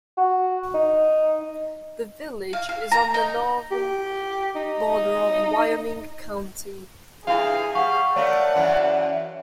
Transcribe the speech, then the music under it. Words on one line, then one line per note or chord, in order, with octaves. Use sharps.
The village is on the northern border of Wyoming County.
F#4
D#4
F5
F5
A#5
D#4
G4
D#4
G2 E4 G#4 F5
G3 F5 F#5 C#6
A3 A#4 C#5 D5 F5 F#5
F#2 E3